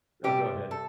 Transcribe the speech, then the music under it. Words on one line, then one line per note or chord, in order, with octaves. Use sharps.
Oh, go ahead.
C3 G3 G4
A4